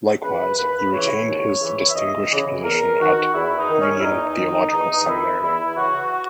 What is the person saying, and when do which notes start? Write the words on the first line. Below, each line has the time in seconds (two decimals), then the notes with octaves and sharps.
Likewise he retained his distinguished position at Union Theological Seminary.
0.22 C#3 E3 B4
0.57 D#2 B4
0.91 C#3 E3 C#5
1.26 D#2
1.60 C#3 E3
1.89 E5
1.95 D#2 D#5
2.30 C#3 E3
2.64 E2 A#4
3.00 D#3 F#4
3.34 E2 E4
3.57 D#4
3.69 D#3
3.80 C#4
3.99 E4
4.03 E2 D#4
4.38 D#3
4.72 E2 D#4
5.07 D#3 E4
5.41 E2 E4
5.76 C#3 E3 F#4